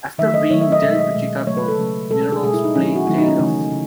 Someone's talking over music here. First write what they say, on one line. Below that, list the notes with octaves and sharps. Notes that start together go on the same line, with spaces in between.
After being dealt to Chicago, Mironov's play tailed off.
D#3 F#3 A3 E5
D#5
D#3 F#3 A3 C#5
E5
D#5
B2 G#3 E5
D#5
B2 G#3
C#3 F#3 A3 C#5
B4
A4
C#3 F#3 A3
B2 G#3 A4
A4
G#4
B2 G#3 G#4
E4
D#4
D#3 F#3 A3 C#4
E4
F#4
D#3 F#3 A3 E4
D#4
C#4
C#3 E3 A3 C#4
C#3